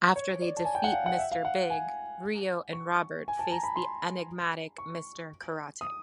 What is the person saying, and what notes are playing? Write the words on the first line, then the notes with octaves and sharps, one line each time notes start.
After they defeat Mr. Big, Ryo and Robert face the enigmatic Mr. Karate.
C#5
D5
A5
G#5
G5
F#5
F5
F#5
E5
F5
F#5
G#5
C#6
G#5
A5
A#5
B5
C6
C#6
D#6